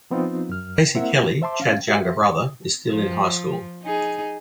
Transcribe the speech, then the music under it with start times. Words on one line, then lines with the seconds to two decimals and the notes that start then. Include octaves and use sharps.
Casey Kelly, Chad's younger brother, is still in high school.
0.11 F3 B3 C4 D#4 F4
0.49 F#2 F6
0.95 A#3 C4 E4 A#4 E5 F#5
1.42 C5 E5 A5 C6 D6
1.60 C#4 F5 A6
1.88 F#4 G4 E5
2.89 F3
3.82 D#4 G#4